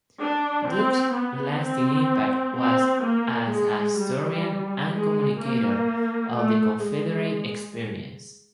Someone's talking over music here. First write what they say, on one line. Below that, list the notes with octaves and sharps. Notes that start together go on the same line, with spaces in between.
Duke's lasting impact was as a historian and communicator of the Confederate experience.
D4
C4
B3
C4
C4
A#3
G#3
G3
G#3
A#3
A3
G#3